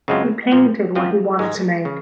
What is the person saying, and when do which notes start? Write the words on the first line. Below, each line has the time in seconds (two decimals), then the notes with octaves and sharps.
He painted what he wanted to make.
0.08 F#2 C#3 G#3 C4 F4
0.51 A#2 F3 C4
0.95 F#2 F3 C4 F4
1.39 G#2 D#3 G#3
1.85 C#3